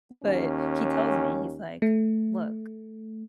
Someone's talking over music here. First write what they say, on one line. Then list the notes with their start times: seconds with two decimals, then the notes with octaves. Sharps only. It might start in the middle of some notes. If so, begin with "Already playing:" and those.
but he tells me he's, like, "Look,
0.23 D#2 C#4
1.82 A3